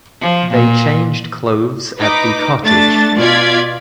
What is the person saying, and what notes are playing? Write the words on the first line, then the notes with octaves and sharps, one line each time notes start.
They changed clothes at the cottage.
F3
A#2
D#4 B4 D6
A3 D4 A6
B2 F4 D5 G#6 B6